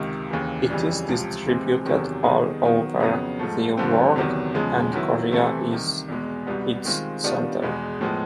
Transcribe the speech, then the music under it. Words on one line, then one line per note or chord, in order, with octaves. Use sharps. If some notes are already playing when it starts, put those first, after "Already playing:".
It is distributed all over the world and Korea is its center.
Already playing: C#2 C3 D#3
D#2 C#3 E3
F2 C#3 E3 G3
C#2 C3 F3
C3 E3 G#3 C4
E2 C3 D#3 F#3
D#3 G3 B3 D#4 G#4
D#3 F#3 B3
F2 C#3 F#3 B3
G#2 F3 A3
G2 D3 F3 A3 C4
E2 C3 D#3 F#3 B3
E2 C#3 F3 G#3
D#3 F#3 B3 E4
C3 E3 A3 C4 E4
C2 C3 D#3
E2 B2 G#3
C2 B2 G3 B3
D#3 G#3 C4 F4
D#3 G3 B3 D4 F4
E2 B2 G#3
A2 F3 G#3 B3